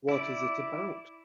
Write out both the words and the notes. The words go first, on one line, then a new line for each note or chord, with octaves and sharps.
What is it about?
E4 D5